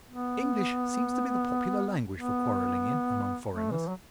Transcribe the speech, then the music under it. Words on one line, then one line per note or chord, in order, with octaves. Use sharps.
English seems to be the popular language for quarrelling in, among foreigners.
B3
B3
A3
E3
F#3